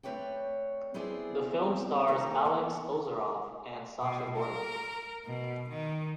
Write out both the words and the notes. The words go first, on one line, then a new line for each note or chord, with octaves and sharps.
The film stars Alex Ozerov and Sasha Gordon.
A3 C4 B4 C#5 D5 G5
B3 C4 E4 G#4 C5 D5
D2 D#3 A#3 G4 A4 A#5
E3 A#3 B3
B2
A#4
B2
D#3